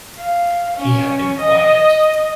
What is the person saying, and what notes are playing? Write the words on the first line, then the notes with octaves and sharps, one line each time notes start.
He had been quiet.
F5
C#4
D#5